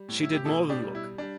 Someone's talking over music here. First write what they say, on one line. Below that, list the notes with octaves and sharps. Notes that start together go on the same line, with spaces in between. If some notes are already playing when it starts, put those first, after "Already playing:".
She did more than look.
Already playing: G3
A2
E4
G4
B2 E4 A4
D4 G4
G3
E4
G3 D4